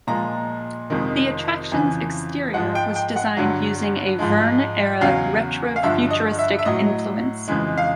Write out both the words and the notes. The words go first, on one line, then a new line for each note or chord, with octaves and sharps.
The attraction's exterior was designed using a Verne era retro-futuristic influence.
A#2 F3 G#3 A#5
F2 C3 D#3 G#3
F2 C#3 E3 G#5
G#2 F3 G#3 F#5
G5
G5
F#5
G2 D3 F#3
G#2 F3 G#3
E2 C#3 F#3 F5
F5
G2 D3 F3 E5
D#5
E5
E5
A2 F#3 D#5
F2 C#3 E3 G#3
F5